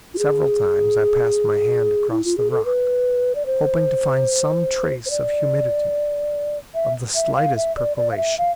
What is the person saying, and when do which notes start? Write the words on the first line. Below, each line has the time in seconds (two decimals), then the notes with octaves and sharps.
Several times I passed my hand across the rock hoping to find some trace of humidity--of the slightest percolation.
0.14 F4
0.18 G#4
2.10 E4
2.24 F4
2.37 G#4
2.51 A4
2.65 B4
3.35 D5
3.46 C5
5.06 C5
5.10 D5
6.74 E5
7.15 E5
7.35 F5
7.56 E5
7.77 D5
7.97 D5
8.11 F5
8.17 E5
8.38 F5